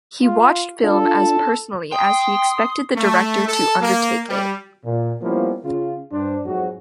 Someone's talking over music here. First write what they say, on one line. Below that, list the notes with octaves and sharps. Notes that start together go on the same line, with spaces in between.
He watched film as personally as he expected the director to undertake it.
F4
D4 F4 A4
G5 C6 D#6
A3
A4
A#3
G3
A#2
F3 G3 A#3 B3 C#4 E4
C#3 F4
G2 D4 C5
F2 G#2 F#3 F#4